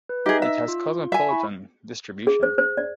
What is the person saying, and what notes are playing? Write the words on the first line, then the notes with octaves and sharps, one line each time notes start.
It has cosmopolitan distribution.
B4
D#4 G4 G#4 D#5 E5
E5 E6
F4
E5 G#5
E4 B5 C#6
G#4
C5
C5
D5